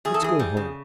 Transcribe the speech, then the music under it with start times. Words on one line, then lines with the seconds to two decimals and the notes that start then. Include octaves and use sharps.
Let's go home.
0.05 E2 G#4
0.14 A4
0.22 E3 G#4
0.39 G3
0.57 C#3